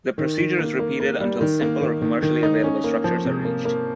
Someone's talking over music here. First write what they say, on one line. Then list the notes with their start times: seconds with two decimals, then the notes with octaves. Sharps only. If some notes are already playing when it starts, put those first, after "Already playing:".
This procedure is repeated until simple or commercially available structures are reached.
0.18 D#3
0.38 D#3
0.59 A#3
0.79 A#3
1.00 A#3
1.20 G3
1.41 D#3
1.61 A#3
1.81 D#3
2.02 D#3
2.22 D#3
2.43 D#4
2.63 C#4
2.84 A#3
3.04 F3
3.25 C3
3.45 A#3
3.65 A#3